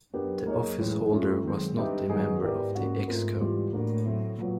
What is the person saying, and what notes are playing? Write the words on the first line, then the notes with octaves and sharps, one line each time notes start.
The office holder was not a member of the ExCo.
F#2 B3 D4 G4 A#4
F#2 A#3 D#4 G#4 C#5
A2 E3 G#3
F2 A3 C#4 F4 A4
F#2 D#3 G#3 C4
G2 C4 D#4 G4 B4 E5
G#2 D#3 F#3 B3 D#4 G#4
G#2 B3 E4 G4 A#4 D5
A#3 C#4 F#4
G#2 A3 C4 F4 A#4
E3 G3 C4 F4
A2 A#3 D4 F#4 A#4
F#3 A3 C4 E4
A#2 F#3 B3